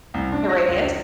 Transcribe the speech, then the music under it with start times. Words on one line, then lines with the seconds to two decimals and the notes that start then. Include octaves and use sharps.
The radius.
0.14 C2
0.32 D4
0.49 A#6
0.68 C#2